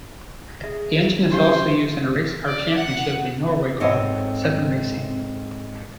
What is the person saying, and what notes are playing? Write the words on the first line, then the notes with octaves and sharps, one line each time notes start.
The engine is also used in a racecar championship in Norway called SevenRacing.
G#4 E5
C#3 C#4 D4 F#4 G4 C5 F5
D5
F#5
G#2 C4 F4 A4 C#5 D#5